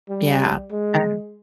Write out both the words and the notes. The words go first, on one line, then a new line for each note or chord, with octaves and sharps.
Yeah. I
G3
G#3